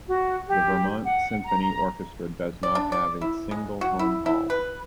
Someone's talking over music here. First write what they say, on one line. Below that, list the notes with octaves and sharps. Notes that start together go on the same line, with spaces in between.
The Vermont Symphony Orchestra does not have a single home hall.
F#4
G4
F#5
A#5
D5
D4
D5
E4
G#3
F#4
E4
E4
B4